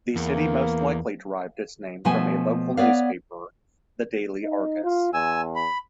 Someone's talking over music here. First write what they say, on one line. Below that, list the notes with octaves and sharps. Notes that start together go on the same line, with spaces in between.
The city most likely derived its name from a local newspaper, the "Daily Argus".
E2 A#3
B2 F3 A3 G5 G#5
B3 C#5 D5 F5
D#4
F4
E2 G#5 E6
B5